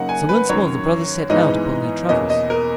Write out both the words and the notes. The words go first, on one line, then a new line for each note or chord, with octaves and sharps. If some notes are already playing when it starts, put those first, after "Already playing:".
So once more the brothers set out upon their travels.
Already playing: F#2 C#3 F#3 A#3 D#4 F#5
G#5
B4
F#2 D#3 F#3 C#5
G#2 E3 G#3 B3 D#4 D#5
E2 B2 A#3 C#4 D#5
D#5
A#4